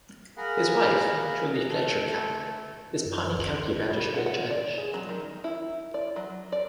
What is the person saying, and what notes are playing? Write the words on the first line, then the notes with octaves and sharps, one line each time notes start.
His wife Julie Fletcher Cowell is Pawnee County magistrate judge.
G#4 A#4 F5 F#5 B5
A3 A4
F#2
G3
F#5
F#5
D5
G#4
F#3
D#3
E4
D5
F#3
D5